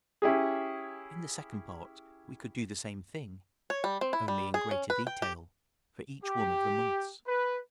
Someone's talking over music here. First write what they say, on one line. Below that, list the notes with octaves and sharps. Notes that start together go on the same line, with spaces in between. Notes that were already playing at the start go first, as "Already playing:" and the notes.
In the second part we could do the same thing, only in greater detail, for each one of the months.
C#4 E4 G4 G#4
C#5
G3
C4
E4
G3
G#4
C#4
B4
G5
G4
G4
B4